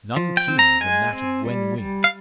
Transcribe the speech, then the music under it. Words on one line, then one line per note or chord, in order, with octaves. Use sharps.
None keener than that of Gwen Wynn.
F3
G5
C4
A#5
G#3 G#5
C4
G3
G3
F5